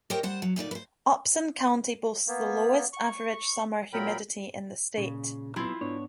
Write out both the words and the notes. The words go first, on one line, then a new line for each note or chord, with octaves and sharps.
Upson County boasts the lowest average summer humidity in the state.
G4 A#4 C5 C#5 D#5 G5
G3 C5 F#5
F#3
D2 A#2 D#4 D5
B4 C5
A#3 B3
C#6
A#2 F#3 A#4 G5 B5
A#2 C#3
F#3 B3 C4 E4 F4
G#2 B3 D4 C#5